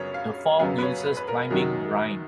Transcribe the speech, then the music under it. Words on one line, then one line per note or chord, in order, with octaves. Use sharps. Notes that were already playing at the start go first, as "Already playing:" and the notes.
The form uses climbing rhyme.
Already playing: F#2 C#3 F#3 B3 C#5
F5
F#2 C#3 F#3 B3 F5
B4
C#5
B4
B4
A#4
F#2 D#3 F#3 F#4